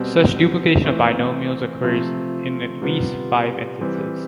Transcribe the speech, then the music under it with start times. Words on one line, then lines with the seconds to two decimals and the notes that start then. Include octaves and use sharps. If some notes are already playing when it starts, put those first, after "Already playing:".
Such duplication of binomials occurs in at least five instances.
Already playing: B2 G3 C4
0.84 E3 A3 C4
1.83 C3 F3 A3 C4 F4
2.82 C3 G3 B3 F4
3.81 E3 G3 C4